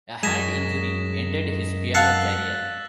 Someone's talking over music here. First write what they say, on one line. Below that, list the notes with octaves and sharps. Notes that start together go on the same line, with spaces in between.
A hand injury ended his piano career.
F#2 G#3 G#5 A#6 B6 E7
F5 F#5 A5 E6 F#6 A6